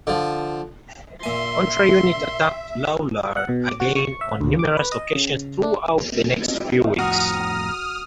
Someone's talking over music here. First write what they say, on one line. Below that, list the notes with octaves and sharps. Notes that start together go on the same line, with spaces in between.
Contra Unit attacked Lawlor again on numerous occasions throughout the next few weeks.
D3 F3
A#2 E5 G#5 C6
F#5
B2
D6
F#4
C#6
E5
D2
D6
B4
D#5
C#3
D4
F2 A2 F#4 A#5 D#6 F6